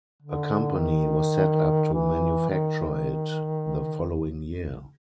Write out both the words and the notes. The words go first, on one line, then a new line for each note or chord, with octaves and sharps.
A company was set up to manufacture it the following year.
D3
D#3
E3
D#3